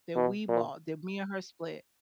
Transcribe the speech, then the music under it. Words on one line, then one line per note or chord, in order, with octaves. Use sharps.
that we bought, that me and her split.
B2
A#2